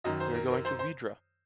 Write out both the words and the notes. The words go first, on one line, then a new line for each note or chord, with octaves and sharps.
We are going to Vidrà.
F#2 D#3 D#5
C5
A#4
A#4
C5
C5